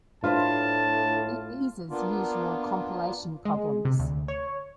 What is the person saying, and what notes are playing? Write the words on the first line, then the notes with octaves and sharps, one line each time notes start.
It eases usual compilation problems.
A2 D4 F4 B4 C5 A5
A#3 B3 D4 F4
G#3
C3
D2
C#5